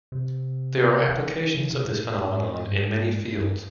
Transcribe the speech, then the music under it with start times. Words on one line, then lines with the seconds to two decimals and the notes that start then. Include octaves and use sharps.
There are applications of this phenomenon in many fields.
0.12 C3
1.55 C#3
1.70 C3
1.85 A#2
1.93 A2
2.00 A#2
2.15 A2
2.28 G#2
2.40 A2
2.67 G2
2.77 G#2
3.38 G2